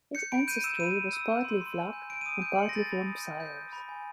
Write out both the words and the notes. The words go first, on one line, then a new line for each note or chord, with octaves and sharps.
His ancestry was partly Vlach and partly from Syros.
G6 C#7
B5 D7
G6 D#7
E6 E7
B5 D#7
B5
E6
G6
C6
C6
G#5
G6
G6 D7
D#7
D#6 D7
G6 D7
C6 C#7
A#6
B5 A6
B5
D#6
G6
G6
G6
B5
G#5